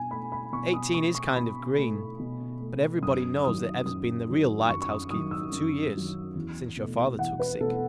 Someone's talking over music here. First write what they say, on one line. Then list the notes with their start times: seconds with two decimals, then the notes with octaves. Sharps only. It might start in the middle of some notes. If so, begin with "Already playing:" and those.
Eighteen is kind of green, but everybody knows that Ev's been the real lighthouse keeper for two years, since your father took sick.
Already playing: B2 G#5
0.11 A3 B5
0.32 B5
0.52 B2 C#6
0.74 D#6
0.94 A3 C#6
1.15 C#6
1.36 B2 B5
1.78 A3
2.19 B2
2.61 A3
3.02 F#2 D#6
3.44 D#3 F#3 D#6
3.85 F#2 D#6
4.28 D#3 F#3
4.69 F#2 C#6
4.82 C#6
4.90 D#6
5.10 D#3 F#3 D#6
5.31 E6
5.52 F#2
5.94 D#3 F#3
6.35 E2
6.77 B2 A3
7.19 E2 F#5
7.40 B4
7.60 B2 A3 A4